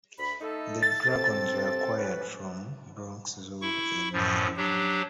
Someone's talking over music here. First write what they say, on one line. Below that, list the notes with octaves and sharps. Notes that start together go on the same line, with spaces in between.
The dragons were acquired from Bronx Zoo in New York.
D2 B5
A3 D#4 A4
A6
C4 A4
C#4 B4
E4 C#6
F#2 A2 F3
F#3 D4 G4